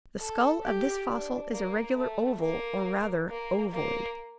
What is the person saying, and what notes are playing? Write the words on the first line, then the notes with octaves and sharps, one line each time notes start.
The skull of this fossil is a regular oval, or rather ovoid.
A4
G4
D4
A#3
A3
A#3
A#3
A#3